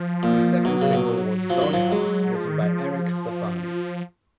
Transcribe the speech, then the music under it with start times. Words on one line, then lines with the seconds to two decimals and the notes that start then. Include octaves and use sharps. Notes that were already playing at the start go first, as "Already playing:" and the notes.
The second single was "Doghouse", written by Eric Stefani.
Already playing: F3
0.23 A#2
0.65 B2 F#3
0.82 C#3
0.93 B2
1.50 F3
1.61 D#3
1.73 F3
1.92 G#3
2.35 F3
2.48 D#3
2.62 F3